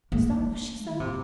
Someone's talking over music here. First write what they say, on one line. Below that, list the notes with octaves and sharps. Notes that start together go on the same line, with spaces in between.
Was that what she said?
A#3
D3
C3